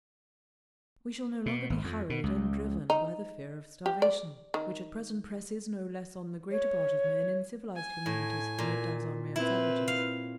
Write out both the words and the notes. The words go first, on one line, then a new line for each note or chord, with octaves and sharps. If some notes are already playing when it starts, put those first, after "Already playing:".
We shall no longer be hurried and driven by the fear of starvation, which at present presses no less on the greater part of men in civilized communities than it does on mere savages.
B2
G#1
F2
B2
C#2
D#4
G4
D5
D#3
C#5
G#5
A2
A#2
C4 E4 B4
F5